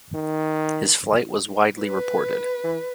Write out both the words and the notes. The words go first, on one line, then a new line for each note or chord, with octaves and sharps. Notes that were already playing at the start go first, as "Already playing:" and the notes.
His flight was widely reported.
D#3
B4
E3